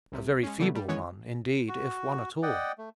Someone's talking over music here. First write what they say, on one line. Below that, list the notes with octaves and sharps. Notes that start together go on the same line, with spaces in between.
A very feeble one, indeed, if one at all.
C2 C3
G#3 C#4
C#3 E3 F#3 G3 A3 B3
G3
D#3 E3 G#3 B3 C#4 C#5
F#4
D5 D#5 F#5 G5
A3